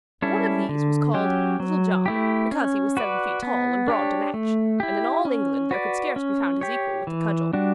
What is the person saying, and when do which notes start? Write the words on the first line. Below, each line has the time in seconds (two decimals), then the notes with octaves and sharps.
One of these was called "Little John," because he was seven feet tall and broad to match, and in all England there could scarce be found his equal with the cudgel.
0.22 G3 C#4 E4 A4
0.69 D3
1.14 F#3 C#4 G4
1.60 F#3
2.06 A3 E4 G4
2.51 C#4
2.97 F#4 B4 D5
3.43 B3
3.88 D4 G4 C#5
4.34 A3
4.80 E4 G4
5.25 C#4
5.71 F#4 B4 D5
6.16 C#4
6.61 G4 C#5
7.07 E3
7.53 G3 D4 F#4